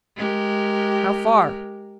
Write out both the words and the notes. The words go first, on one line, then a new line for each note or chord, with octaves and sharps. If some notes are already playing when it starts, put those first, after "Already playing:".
"How far?"
G#3 G4 A#4